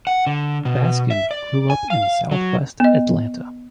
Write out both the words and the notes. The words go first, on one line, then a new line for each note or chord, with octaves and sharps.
Baskin grew up in Southwest Atlanta.
F#5
D3
B2
E5
D5
G#5
F5
F#3
B3 D#5